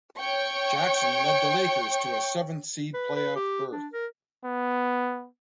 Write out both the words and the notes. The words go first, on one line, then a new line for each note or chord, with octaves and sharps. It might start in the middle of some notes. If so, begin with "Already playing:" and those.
Jackson led the Lakers to a seventh-seed playoff berth.
C#5 G5 C#6
B4
B4
G4
D4
A#4
B3